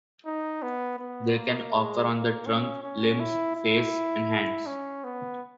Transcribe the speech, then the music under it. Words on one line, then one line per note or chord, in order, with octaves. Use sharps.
They can occur on the trunk, limbs, face, and hands.
D#4
B3
B3
A#3
G#3
A#3
C#4
C#4
E4
E4
C#4
B3